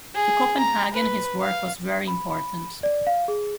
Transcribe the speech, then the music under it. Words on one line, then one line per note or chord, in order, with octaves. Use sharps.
To Copenhagen his work was very important.
G#4
A#5
B4
F5
B5
B5
D5
F5
G#4